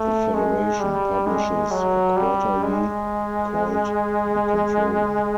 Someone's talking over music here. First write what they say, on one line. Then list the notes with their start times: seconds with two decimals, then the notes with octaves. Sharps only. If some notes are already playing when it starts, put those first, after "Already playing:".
The Federation publishes a quarterly, called "The Controller".
Already playing: A3
0.34 G#3
0.80 G3
1.26 G#3
1.71 F#3
2.16 G3
2.63 G#3